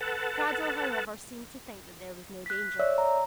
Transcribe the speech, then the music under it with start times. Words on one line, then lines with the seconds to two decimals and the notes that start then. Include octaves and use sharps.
Cradell, however, seemed to think that there was no danger.
0.01 A4 B4 F#5 A5
2.46 F#6 B6
2.79 C#5 D5 E5 E6
2.98 A#5